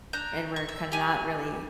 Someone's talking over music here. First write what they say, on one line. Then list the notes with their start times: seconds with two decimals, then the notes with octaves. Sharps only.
and we're kinda not really
0.13 D4 A#5 G6
0.56 C#6
0.69 E5
0.92 G4 G#5